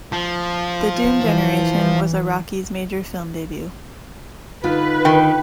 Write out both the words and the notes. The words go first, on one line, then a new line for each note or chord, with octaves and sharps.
"The Doom Generation" was Araki's major film debut.
F3
E3
D3 D#4 F4 B4
D#3 G5